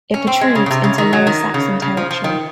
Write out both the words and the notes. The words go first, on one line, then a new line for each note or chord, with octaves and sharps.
It protrudes into Lower Saxon territory.
C#4
C4
G#3
C#3
C#3
C3
C#3
D#3
F#3
D#3
C#3
C#3
F3
F3
D#3